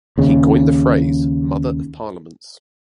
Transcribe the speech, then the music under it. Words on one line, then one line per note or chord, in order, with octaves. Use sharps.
He coined the phrase Mother of Parliaments.
D#2 C#3